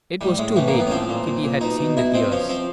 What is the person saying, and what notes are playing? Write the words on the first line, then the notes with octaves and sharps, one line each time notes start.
It was too late; Kitty had seen the tears.
A2 G3
A2 G#3
E3 A3
A#3
A2
B3
C#4
F3 C4
A#2
A#2
A#2
B2 D#4
B2
B2 E4
B2 C4
F3 C#4
F3 C4